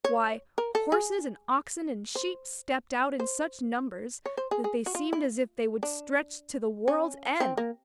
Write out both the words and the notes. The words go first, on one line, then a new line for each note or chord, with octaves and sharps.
Why, horses and oxen and sheep stepped out in such numbers that they seemed as if they would stretch to the world's end!
C#5
A#4
A4
G#4
C5
C5
C#5
C5
G#4
G#4
F#4
F4
E4
D4
C#4
C4
A#3